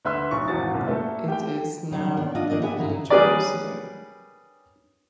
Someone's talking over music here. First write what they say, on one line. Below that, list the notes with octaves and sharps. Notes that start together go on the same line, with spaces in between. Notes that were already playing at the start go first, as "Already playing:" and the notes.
It is now the village museum.
D2 B4 E5 C6 E6
B1 C#6
G#1 E2 F#4 A6
C2 F#2 A#2
A3 A#3 A4
G4 G5
C#3 F#3 G3
B3 D4
D4 F4 D#5
D4 A#4 D#5
B3 G4 E5 G#5
G2 C#3 E4 A#5
G3 C#4 G#4 A#4 B4 D5